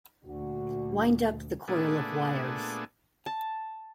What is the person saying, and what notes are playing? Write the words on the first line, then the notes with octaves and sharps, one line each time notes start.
Wind up the coil of wires.
D2 A#2 D4 F#4
A#2 A3 B3 D4 G#4
A5